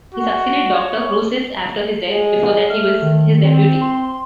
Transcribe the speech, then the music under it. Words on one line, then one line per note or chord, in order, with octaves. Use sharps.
He succeeded Doctor Cruces after his death; before that he was his deputy.
F#4
C#5
G#3
A3 F6
D#3
C4
C6